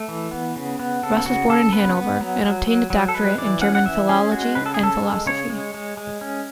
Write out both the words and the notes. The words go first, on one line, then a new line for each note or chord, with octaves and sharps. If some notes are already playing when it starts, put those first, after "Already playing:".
Rust was born in Hannover, and obtained a doctorate in German philology and philosophy.
Already playing: A3
E3
B3
C#3
B3
C#3 A4
C#3 F#4
C#3 A4
B3 B4
B3
F#3
F#3
F#3
F#3
A4
G#3 B4
E3 D5
C#4 F#5
F#5
E3 E5
C#4 G#4
G#3 F#4
C#3 B4
A4
G#4
C#3 A4
G#3
C#3 C#5
G#3
G#3
G#3
C#4